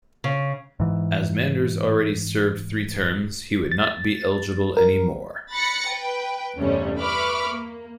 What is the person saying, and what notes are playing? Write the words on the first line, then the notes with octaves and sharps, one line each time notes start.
As Manders already served three terms he would not be eligible anymore.
C#3
G#2 E3
A6
A#4
B5 F#6 A6 A#6 C#7
B4 G5
E2 G2 C3 G3 A3 C#4
B4 E5 B5 C#6 D6 F6
A#3